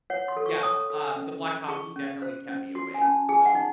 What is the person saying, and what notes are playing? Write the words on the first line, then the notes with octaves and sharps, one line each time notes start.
Yeah, uh, the black coffee definitely kept me awake, so,
C#5 F#5
C6
A4
C#6
C#5 D#6
A4
C#4
C#4
G#4 C#6
C#4
C5
C#4
F#4 C6
G#5
C#4 A5
G#4 G#5
F#5
D#4